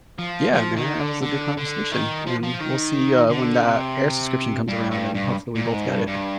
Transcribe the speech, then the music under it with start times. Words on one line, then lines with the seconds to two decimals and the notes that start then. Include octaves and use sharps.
Yeah, man. That was a good conversation, and we'll see, uh, when that air subscription comes around, and hopefully we both get it.
0.19 F3
0.53 F3
0.76 D#3
0.99 D3
1.22 D3
1.57 D3
1.91 D#3
2.26 F3
2.43 F3
2.61 D#3
3.30 D3
3.64 C3
4.68 G2
4.91 G2
5.15 G2
5.55 A#2
5.72 G#2
5.89 G2
6.07 G2